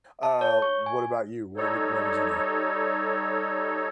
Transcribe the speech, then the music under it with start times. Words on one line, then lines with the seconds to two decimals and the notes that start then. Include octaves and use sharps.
Uh, what about you? What would what would you do?
0.23 A5
0.41 C#5
0.62 C#6
0.86 G#5
1.57 G3 D#4 A4 C#5